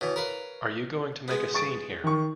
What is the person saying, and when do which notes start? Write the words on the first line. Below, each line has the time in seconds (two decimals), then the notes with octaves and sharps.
Are you going to make a scene here?
0.01 B2 E3 C#5
0.16 A#4 B4 F5
1.28 G#3 B3
1.54 C#6 A6 D7
2.04 D#3 C#6